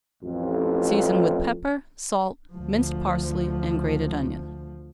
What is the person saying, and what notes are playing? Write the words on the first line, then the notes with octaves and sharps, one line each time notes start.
Season with pepper, salt, minced parsley, and grated onion.
A1 F2
D2 F3